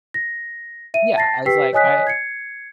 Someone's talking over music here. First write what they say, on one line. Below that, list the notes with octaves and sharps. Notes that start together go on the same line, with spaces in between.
Yeah as, like, I
A#6
E5 D#7
A5 A6 A#6 C7
G4 B4 G5 E6 B6 C7
C#5 D#5 G#5 D#6 F#6 B6
G#6 C7 C#7